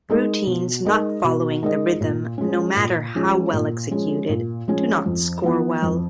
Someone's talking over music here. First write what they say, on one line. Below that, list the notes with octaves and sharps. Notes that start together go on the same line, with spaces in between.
Routines not following the rhythm, no matter how well executed, do not score well.
G#3 D#4 A#4 D#5
B2
G#3 D#4 A#4 D#5
B2
G#3 D#4 A#4 D#5
A#2
F3 G#3 C#4
A#2
F3 G#3 C#4
A#2
F3 G#3 C#4
A#2
F3 G#3 C#4
F2
F3 B3
F2